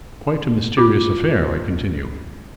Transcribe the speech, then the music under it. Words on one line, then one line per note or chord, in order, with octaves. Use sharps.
"Quite a mysterious affair!" I continued.
F4 D6